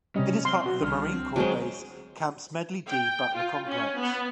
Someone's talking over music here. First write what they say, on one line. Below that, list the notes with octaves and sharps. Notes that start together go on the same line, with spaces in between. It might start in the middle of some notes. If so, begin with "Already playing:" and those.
It is part of the Marine Corps Base Camp Smedley D. Butler complex.
C3 G3 C#4 D#5
C4 C6 F6
B1 F#4
C2 D#3 G3 D4 F6
C4
F#3 G#3 C4 C5 G#5
G5
F4
C#4
B3